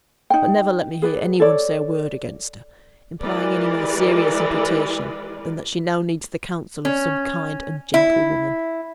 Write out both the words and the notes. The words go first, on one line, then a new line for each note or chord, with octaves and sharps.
But never let me hear any one say a word against her, implying any more serious imputation than that she now needs the counsel of some kind and gentle woman.
D#4 G5
G#4 B4 D5
A4 C#5 D5
E3 G#3 G4 A#4 B4 D5
C#4
E4